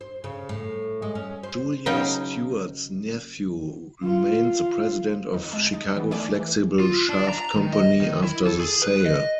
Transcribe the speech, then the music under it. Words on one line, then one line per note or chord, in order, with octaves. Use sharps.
Julia Stewarts nephew remained the president of Chicago Flexible Shaft Company after the sale.
C5
C#3
A2
G#3
C#4
C5
C#3 F#3 C#4 D#4 G5
F4
F2 D#4
G#3 A5
D#4
E3 B3
A3 D#4 D5 G#5 D6
E3
F4
D4
A#5
D#3
D#5
D#3
E4
A4
G#4
B4
D#5